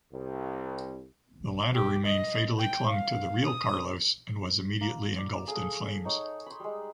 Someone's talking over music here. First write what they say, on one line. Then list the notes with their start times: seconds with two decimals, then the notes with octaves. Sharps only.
The latter remained fatally clung to the “Real Carlos” and was immediately engulfed in flames.
0.12 C2
1.75 G4
2.06 D#5
2.59 G5
2.90 F5
3.46 D#6
4.81 A#3
5.18 D5
5.47 G#4 A4 F5 D#6
6.05 D#4 C#5 F#5
6.46 B5 C6
6.60 G3 G#3